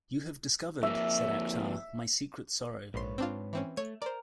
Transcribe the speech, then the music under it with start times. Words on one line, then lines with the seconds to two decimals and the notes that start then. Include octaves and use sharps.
"You have discovered," said Akhtar, "my secret sorrow."
0.83 F2 A#3 E5
2.94 A#1 G#2 B4 C#5 C6
3.18 C4 D4 F4
3.53 E3 C4 C#4
3.77 A3 C#5
4.02 A#4 C5 D5